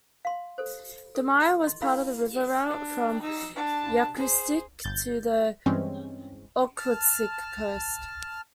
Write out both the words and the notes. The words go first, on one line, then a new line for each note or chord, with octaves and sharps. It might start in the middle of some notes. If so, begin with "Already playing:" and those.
The Maya was part of the river route from Yakutsk to the Okhotsk Coast.
F5 C6
A4 C5
A4
D#5 C6
E4 A4 F5 B5
D4
D#4 E6
D4 A5
G#4 C5
G1 G6 A6
G2 E3 G#3 C4 C#4
A5 F6